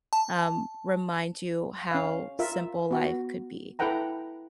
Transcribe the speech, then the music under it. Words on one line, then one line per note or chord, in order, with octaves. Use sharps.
um, remind you how simple life could be.
A5
C#4 F5
F4 A#4 E5
B3 F#4
E4 A4 B4 F#5 G5 A#5